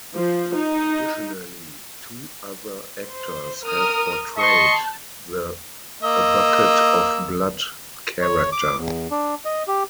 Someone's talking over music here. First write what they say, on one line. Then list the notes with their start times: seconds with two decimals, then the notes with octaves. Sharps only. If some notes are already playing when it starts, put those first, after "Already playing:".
Additionally, two other actors have portrayed the "A Bucket of Blood" character.
0.13 F3
0.55 D#4
3.06 C5
3.65 A#4 D#6 F6
4.37 D#5 A5 C6 C#6
6.03 A#3 D#5 E6
8.21 C#5
8.52 D6
8.79 E2
9.11 D4
9.45 D#5
9.68 G4